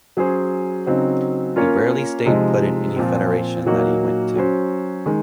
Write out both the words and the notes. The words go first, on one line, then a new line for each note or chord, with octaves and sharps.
He rarely stayed put in any federation that he went to.
F#3 C#4 G#4 C5
C#3 F#3 C4 D#4
A#3 C#4 F4 A#4 C#5
C3 F3 G#3 D#4
A#2 F3 C4
A#2 F#3 A#3 D#4 F#4
F#3 C#4 F#4 C5
D#3 G#3